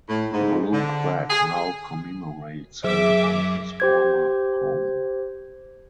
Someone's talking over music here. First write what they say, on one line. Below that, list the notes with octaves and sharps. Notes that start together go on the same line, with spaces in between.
A Blue Plaque now commemorates him on his former home.
A2
G#2
D3
G#4
F#2 G#4 E5 D6
G4 C5 G#6